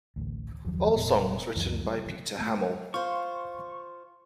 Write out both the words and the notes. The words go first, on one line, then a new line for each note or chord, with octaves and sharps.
All songs written by Peter Hammill.
A1 D2
F#1 D#2 F3 F#3
F1 F2 A#2 B3
C#2 F#2 E3
G3
A3 B3
F4 C5 C#6